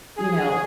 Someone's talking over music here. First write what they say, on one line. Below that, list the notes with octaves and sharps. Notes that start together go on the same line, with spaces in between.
you know,
G#4